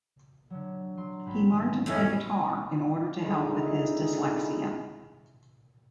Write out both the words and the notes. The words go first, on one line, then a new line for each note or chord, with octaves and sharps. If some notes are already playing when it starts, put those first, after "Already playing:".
He learned to play guitar in order to help with his dyslexia.
D3 F#3
F#3 C6
G#1 B5
D#3
F2 A2 A3 C#4 E4 D#5
C#2 D3 D#4 E4 G#4